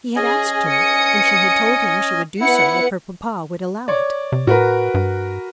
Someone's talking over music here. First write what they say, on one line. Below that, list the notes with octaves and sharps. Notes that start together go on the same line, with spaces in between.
He had asked her and she had told him she would do so if her papa would allow it.
C#4 G#4 D#5 G#5
D#6 C#7
B3 E4 F#5 C#7
C#5 D5
C3
A2 F#4 A#4 B4
G2